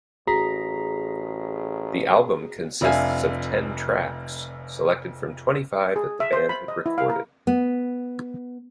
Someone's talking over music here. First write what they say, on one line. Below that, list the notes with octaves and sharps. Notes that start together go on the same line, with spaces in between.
The album consists of ten tracks, selected from twenty-five that the band had recorded.
A1 F#4 G#4 A#5 B6
F1 F2 D4 E5 F5 G#5
G#4
E5
C5
B5
D#5
E4
F5
A#4
B3